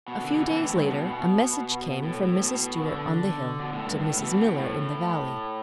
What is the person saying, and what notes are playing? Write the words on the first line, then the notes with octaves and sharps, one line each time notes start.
A few days later a message came from Mrs. Stuart on the hill to Mrs. Miller in the valley.
B2
D3
B2 E3
B2 E3
A2
G2
B2
B2
A2
A2
B2
D3
B2
A2
G2
A2
B2 E3
B2
A2